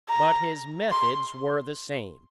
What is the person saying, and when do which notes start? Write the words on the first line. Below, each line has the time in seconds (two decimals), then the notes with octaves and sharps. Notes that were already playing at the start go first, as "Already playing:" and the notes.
But his methods were the same.
0.09 A#5
0.92 C6